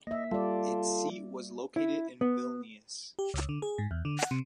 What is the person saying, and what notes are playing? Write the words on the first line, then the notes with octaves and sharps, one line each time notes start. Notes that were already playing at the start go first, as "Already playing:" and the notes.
Its seat was located in Vilnius.
A#3 D#5 E5
G3 F4 A4 D5
E4
B3
G4
C#2
D3
G#4
G#2
E2
D3
F#5
C3